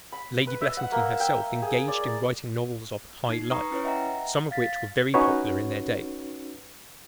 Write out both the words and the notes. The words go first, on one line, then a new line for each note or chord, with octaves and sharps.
Lady Blessington herself engaged in writing novels of "high life," some of which were very popular in their day.
B5
B4
E5
F#5
A#3
G5
G#4
D5
D#4 C7
B4 A#5 C#6 D#6
C#4 E4 B4 C#5
D#5 E5 F#5 G5 A#5
F5 A6 B6
C#4 D#4 F#4 B4 C#5